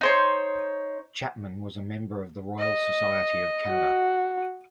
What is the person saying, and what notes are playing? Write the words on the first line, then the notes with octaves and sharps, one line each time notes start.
Chapman was a member of the Royal Society of Canada.
D#4 C5 C#5
D#5
F#4